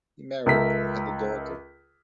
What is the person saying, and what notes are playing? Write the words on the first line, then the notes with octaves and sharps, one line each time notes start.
He married and had a daughter.
C#2 A4 A#4 E5 B6